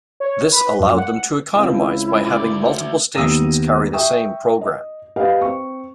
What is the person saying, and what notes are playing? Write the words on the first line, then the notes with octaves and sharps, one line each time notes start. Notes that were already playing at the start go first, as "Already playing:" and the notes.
This allowed them to economize by having multiple stations carry the same program.
C#5
B4
F#2
F#5
C#2 C4 E4 F4
D2 D5
D#2 B3 D#6 E6 A#6 D#7
E5 G5 C#6 D#6
D#5
G4 B4 D#5 F5
C4 C#6